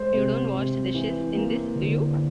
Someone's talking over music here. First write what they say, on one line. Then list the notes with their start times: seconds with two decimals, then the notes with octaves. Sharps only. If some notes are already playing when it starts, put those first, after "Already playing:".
You don't wash the dishes in this, do you?
Already playing: G#3 C5
0.13 C3
0.54 C3
0.94 E3
1.35 A#3
1.75 D3